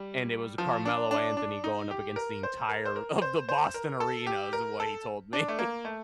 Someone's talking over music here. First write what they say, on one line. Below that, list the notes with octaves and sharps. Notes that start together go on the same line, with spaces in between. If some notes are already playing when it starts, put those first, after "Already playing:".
and it was Carmelo Anthony going up against the entire of the Boston Arena, is what he told me.
Already playing: G3
F3
D4
D4
D4
D#4
G4
A#4
C5
A#4
C5
A#4
C5
C5
A#4
A4
G4
A#4
A4
D4
A3
A#3
A3